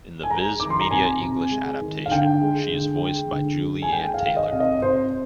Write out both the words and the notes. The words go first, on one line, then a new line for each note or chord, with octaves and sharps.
In the Viz Media English adaptation, she is voiced by Julie Ann Taylor.
G#5
G#3 A#5
D#3 D6
C6
A#5
C3 G#5
C3
G#3
D#3
F5
D3 G5
G#3
D3
G#3
D3
G#3
G#5
G#3 G5
F5
D#3
D#5
C3 F5
D#5
C3 C5